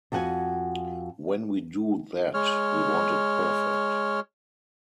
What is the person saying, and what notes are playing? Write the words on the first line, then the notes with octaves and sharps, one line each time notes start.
When we do that, we want it perfect.
F2 F3 F#4 F#5 G#5
G#3 C#5 F6